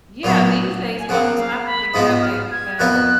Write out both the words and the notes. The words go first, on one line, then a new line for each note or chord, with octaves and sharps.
Yeah, these days, you almost have to think that way because
A#2 F#3 B3 F#4
G#5
C#3 F3 A#3 F#5
F5
B5
G#2 F3 G#3 B3 D#4 D#6
F6
G#6
F2 F3 B3 D#4 A#4 F#6